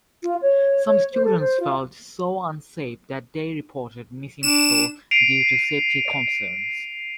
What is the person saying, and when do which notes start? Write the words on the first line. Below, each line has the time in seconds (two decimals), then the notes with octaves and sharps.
Some students felt so unsafe that they reported missing school due to safety concerns.
0.23 F4
0.42 C#5
0.86 C#5
1.13 C5
1.24 A4
1.39 C5
1.60 F4
4.43 D4 E7
5.11 C7 D7 D#7 F7